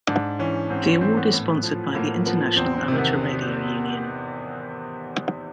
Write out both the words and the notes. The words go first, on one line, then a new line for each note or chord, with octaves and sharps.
The award is sponsored by the International Amateur Radio Union.
G#2 D4
E3 C#4
G#2 C4
C#4
E3 C4
B3
A2
F3
A2 A#3
F3 B3
E2 C4
C4
C3 D#3
B3